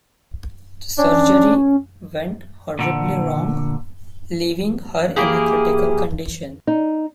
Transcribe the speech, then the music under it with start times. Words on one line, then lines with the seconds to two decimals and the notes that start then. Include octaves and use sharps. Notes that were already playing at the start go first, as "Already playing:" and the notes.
The surgery went horribly wrong, leaving her in a critical condition.
0.98 C#4 D4
2.79 A#2 D3
5.16 A#3 E4 G4 G#4
6.67 D#4